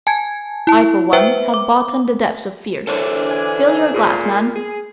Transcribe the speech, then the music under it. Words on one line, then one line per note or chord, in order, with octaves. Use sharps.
I for one have bottomed the depths of fear. Fill your glass, man!
G#5 A5 G#6
E4 A5
B4 C5 E5 G5
D6
D3 E3 D4 A4 C5 C#5
G#5
A#2 G#4
G#4